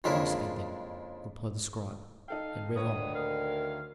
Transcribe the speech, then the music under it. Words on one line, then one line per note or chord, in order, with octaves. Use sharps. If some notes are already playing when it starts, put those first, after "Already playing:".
"The mice ate them," replied the scribe, and read on.
F2 C#3 G#3 A#3 D4 E4
D#4 A4 F5 G5
D2 D3 D#3 B4 C#5 D#6
A#4 F5